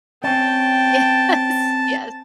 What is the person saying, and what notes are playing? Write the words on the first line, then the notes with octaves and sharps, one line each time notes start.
Yes, yes.
C4 C#4 G5 A5